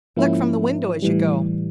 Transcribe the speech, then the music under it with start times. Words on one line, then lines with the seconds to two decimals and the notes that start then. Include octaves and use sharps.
Look from the window as you go.
0.16 G#2 F3 A#3 C#4 E4
1.02 A2 E3 G3